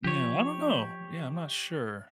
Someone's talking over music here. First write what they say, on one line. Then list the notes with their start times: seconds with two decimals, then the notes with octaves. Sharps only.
Yeah, I don't know, yeah, I'm not sure,
0.04 F3 G4 C#5